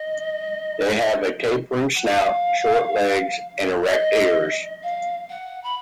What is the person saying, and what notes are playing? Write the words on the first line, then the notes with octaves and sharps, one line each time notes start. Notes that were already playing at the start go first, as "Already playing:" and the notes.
They have a tapering snout, short legs, and erect ears.
Already playing: D#5
F#5
F5
D5
D#5
F5
F#5
B5